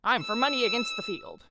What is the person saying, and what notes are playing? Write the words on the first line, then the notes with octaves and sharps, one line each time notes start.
I'm for money against the field.
E6